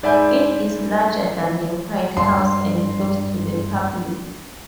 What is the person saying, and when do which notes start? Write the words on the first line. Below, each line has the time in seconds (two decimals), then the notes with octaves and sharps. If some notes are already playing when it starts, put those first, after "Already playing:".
It is larger than the White House and closed to the public.
0.03 G#2 D5 E5 G#5 B5 G6
2.17 G2 C6